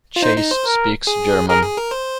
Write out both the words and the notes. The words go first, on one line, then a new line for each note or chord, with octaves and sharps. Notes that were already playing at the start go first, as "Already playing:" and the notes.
Chase speaks German.
F4
D#4 C5
D#4
C5
A#4
G#4
G#4 A#4
G#4
A#4
C5